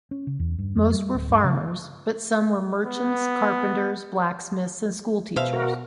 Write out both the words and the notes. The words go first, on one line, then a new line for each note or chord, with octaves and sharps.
Most were farmers, but some were merchants, carpenters, blacksmiths and school teachers.
C#4
C#3
E2
G2
F2
G3
D1
G2
C#3
B3
B2 C5 E5 F5
F#4 A#4